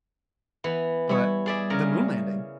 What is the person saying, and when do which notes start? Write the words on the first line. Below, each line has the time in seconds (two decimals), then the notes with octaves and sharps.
but the moon landing.
0.64 E3 B3
1.09 G3 E4 C#5
1.46 G#4 D5 E5
1.70 C#3 A#4